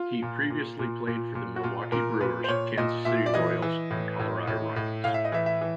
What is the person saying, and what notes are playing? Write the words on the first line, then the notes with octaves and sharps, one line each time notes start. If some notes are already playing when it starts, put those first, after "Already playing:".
He previously played for the Milwaukee Brewers, Kansas City Royals and Colorado Rockies.
Already playing: F4
A#2
A#2
A#2
A#2
A#2
F#4
A#2 F4
A#2 A#4
A#2 B4
C5
A#2 C#5
A#2 D#5
A#2 E5
D5
E3 D#5
E3
A2
A2
A2
A2
A2 F5
E5
D#5
E3 E5
E5
E3